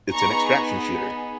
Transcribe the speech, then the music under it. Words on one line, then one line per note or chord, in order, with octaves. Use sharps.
it's an extraction shooter.
B3 D#4 G#4 A#5 C#6